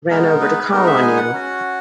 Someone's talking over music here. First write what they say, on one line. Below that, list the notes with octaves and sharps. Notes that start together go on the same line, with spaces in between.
Ran over to call on you.
G#3 B3 D#4 A#4
B4
G#3 B3 D#4 A#4
E5
G#5
F#5
C#4 F#4